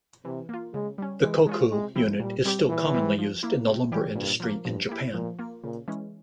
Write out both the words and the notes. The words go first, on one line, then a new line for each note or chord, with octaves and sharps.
The "koku" unit is still commonly used in the lumber industry in Japan.
C3 E3
A#3 F4
C#3 G#3
G3 C#4
E3 G#3
G#3 C#4 F4
C3 G#3
F3 C4 E4
A#2 G3
G3 C4 G4
A#2 E3
G3 C4 E4
F3
A#3 E4
C3
E3 G3 C#4 G4
G2 A#2
F3 A#3
G2 F3
A#3 E4 G4
A#2 F3
A#3 F4
A#2 C#3
E3 G#3 C#4